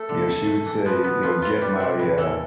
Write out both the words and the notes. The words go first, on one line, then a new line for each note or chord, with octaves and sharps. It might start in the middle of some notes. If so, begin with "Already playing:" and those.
you know, she would say, you know, "Get my, uh,
Already playing: A3 A4
D3
E4
A3
E3
F3 B4
B3
F3
F4
G3
C3
A2 B4
E3 A4